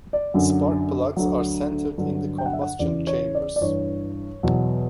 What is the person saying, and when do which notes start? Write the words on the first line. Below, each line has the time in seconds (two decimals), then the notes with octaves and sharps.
Spark plugs are centered in the combustion chambers.
0.13 D5
0.34 F#2 D3 F#3
1.17 D2 D3 F#3
1.98 G2 D3 F#3
2.38 G5
2.46 F#5
2.53 E5
2.62 F#5
2.79 E2 C#3 E3 D5
3.07 C#5
3.35 D5
3.56 D5
3.61 G2 E3 C#5
4.43 E2 B2 F#3